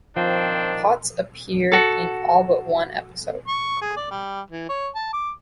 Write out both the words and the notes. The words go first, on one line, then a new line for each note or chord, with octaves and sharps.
Potts appeared in all but one episode.
D#3 F3 C4 D4
F#4 A4
C#6
G#4
D5
G3
E3
C#5
A5
D6